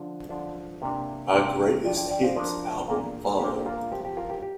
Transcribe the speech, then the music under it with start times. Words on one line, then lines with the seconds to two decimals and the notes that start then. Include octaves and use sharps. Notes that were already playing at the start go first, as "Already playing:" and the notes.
A "Greatest Hits" album followed.
Already playing: D3 F3 D4
0.29 D3 F3 D4
0.82 C3 A#3 D4
1.33 C3 A#3 D4
1.84 F3 D4 D5 G5
1.97 D5 G5
2.10 D5 G5
2.23 C5 F5
2.36 F3 D4 A#4 D5
2.88 A#2 A#3 D4
3.39 A#2 A#3 D4 G4 C5
3.65 F4 A#4
3.91 F3 C4 G4
4.05 G4
4.17 F4 A#4
4.30 G4
4.42 G4